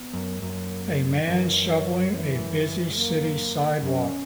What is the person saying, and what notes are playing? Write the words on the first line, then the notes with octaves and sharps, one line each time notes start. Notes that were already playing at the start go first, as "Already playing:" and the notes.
A man shoveling a busy city sidewalk.
Already playing: B3
F#2
G#3
F#2 A#3
F#2 E3
F#3
E3
G#3
A#3
F#2 C#4